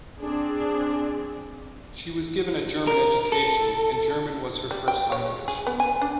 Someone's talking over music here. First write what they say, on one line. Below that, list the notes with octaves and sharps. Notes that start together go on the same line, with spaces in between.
She was given a German education, and German was her first language.
C4 D4 G#4
A#4
A4
G3
G5
C#5
G#3
G#4
B3
G#5
D4